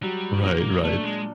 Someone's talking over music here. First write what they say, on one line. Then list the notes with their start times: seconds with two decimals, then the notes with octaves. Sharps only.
Right, right.
0.03 F#3 G3
0.43 A#2 A#3
0.83 A3 D4
1.04 G#3